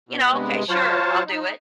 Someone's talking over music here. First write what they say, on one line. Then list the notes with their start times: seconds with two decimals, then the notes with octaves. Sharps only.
you know, "Okay, sure, I'll do it."
0.09 B2
0.33 G2 C3 G#3 B3
0.69 F#3 F4 C5 C#5 A5
1.26 D#4